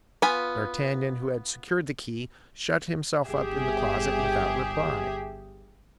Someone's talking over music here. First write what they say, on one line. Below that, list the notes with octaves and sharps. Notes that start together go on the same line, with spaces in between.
D'Artagnan, who had secured the key, shut himself up in the closet without reply.
B3 F4 G#5 B5
G1 G4 G#4 E5